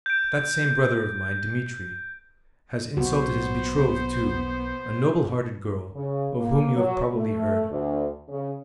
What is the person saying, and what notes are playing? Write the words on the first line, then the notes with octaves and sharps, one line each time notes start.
That same brother of mine, Dmitri, has insulted his betrothed, too, a noble-hearted girl of whom you have probably heard.
G6 D7
B1 B3 F#4 C5
C#3
A#3
F#3
A3
D2
C#3